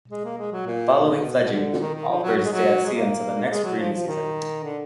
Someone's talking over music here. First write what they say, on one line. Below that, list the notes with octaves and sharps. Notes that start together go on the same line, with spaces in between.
Following fledging, all birds stay at sea until the next breeding season.
G#3
A#3
G#3
F#3
A#2
B2
A#2
B2
B2
D3
D#3
D#3
F3
F#3
F#3
G#3
F#3
G#3
A#3
A#3
G#3
F#3
F3
F3
D#3
D3